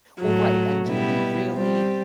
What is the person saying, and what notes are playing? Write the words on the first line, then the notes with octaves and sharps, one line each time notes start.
Well, right. And do you really
A2 F#3 A3
B2 G3 B3 E4 G4
G3 C4 G4